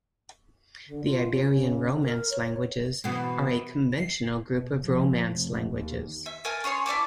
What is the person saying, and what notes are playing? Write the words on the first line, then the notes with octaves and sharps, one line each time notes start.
The Iberian Romance languages are a conventional group of Romance languages.
D3
F4
C#3
A#4
C#5
B2 E3 B3
B2
F3
F1
D#2
E5
A#4 G#5 A5
C#4 G#4 C#5 C6
E4 D5 A5 D6